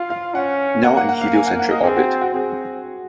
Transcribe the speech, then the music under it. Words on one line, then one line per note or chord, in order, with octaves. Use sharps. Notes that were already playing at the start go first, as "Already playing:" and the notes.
Now in Heliocentric orbit.
Already playing: F4 F5
F5
C#4 F#5
A#3 F#5
F#5
F#5
F5
G#5
F#5
F#5
D#5
C4 G#4
F#4
F#4
C4 G#4